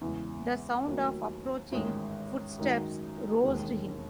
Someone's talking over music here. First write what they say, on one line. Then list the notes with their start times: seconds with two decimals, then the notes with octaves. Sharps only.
The sound of approaching footsteps roused him.
0.01 E2 C#3 E3 G#3
0.87 D#2 D#3 F#3 A3
1.72 A1 G#2 D#3 G#3
2.58 F#2 D#3 G#3 D#4
3.44 E1 D#2 D#3 G#3